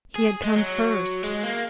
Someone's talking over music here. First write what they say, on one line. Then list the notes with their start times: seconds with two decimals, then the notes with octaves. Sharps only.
He had come first!
0.15 G#4
0.44 G#3
0.56 F#3
1.24 G#3
1.43 A#3